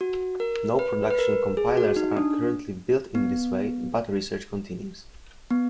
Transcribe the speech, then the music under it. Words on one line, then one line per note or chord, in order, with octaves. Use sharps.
No production compilers are currently built in this way, but research continues.
F#4
A#4
B4
B4
A#4
G#4
F#4
D#4
D4
B3
B3